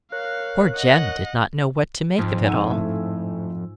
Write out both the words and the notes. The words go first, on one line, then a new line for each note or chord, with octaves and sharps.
Poor Jem did not know what to make of it all.
A#4 C#5 F5 F#6
D#5 F#5
F2 G#2 F4
D#4 F#5 G#5 E6
A2 A3